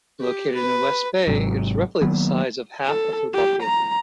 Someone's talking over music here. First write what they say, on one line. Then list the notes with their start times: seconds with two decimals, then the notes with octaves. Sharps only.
Located in West Bay, it is roughly the size of half a football field.
0.21 G4
0.55 B4
1.28 G#1 G#2 C3 F#3
2.02 D#3 F#3 A#3 B3
2.87 A4
3.34 G4
3.63 A#5